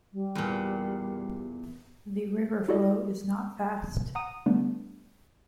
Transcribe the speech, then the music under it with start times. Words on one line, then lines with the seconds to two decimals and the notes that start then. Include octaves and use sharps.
The river flow is not fast.
0.13 G3
0.35 E2 A#2
2.68 E4 F#4 G4 A4 D5 D#5
4.15 F#5 A#5 D#6 D#7
4.46 D3 G3 A3 B3 D4